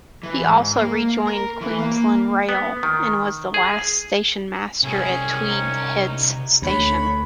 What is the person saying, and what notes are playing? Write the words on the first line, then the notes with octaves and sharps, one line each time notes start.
He also rejoined Queensland Rail and was the last stationmaster at Tweed Heads station.
E3
G#2
A#3
A#4
E3
A#3
B3
D#3
G#4
C2 C#4 G#4
D#4
D2 C#5 B5